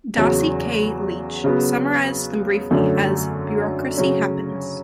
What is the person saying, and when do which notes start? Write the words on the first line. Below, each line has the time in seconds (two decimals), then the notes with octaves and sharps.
Darcy K. Leach summarized them briefly as: Bureaucracy happens.
0.17 E2 C#3 F#3
1.44 C#3 F#3 B3
2.71 F#2 D3 A3 C#4
3.97 C#3 F#3 C#4